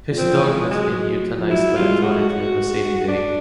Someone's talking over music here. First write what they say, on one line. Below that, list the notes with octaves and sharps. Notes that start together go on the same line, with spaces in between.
His dog has been euthanised by authority on the same day.
A#2
F3 C4
E3
G#3
F3
F#3 G#3
F3
F#3 E4
F#3
G3 F4
G#3
F#4
F#4
D4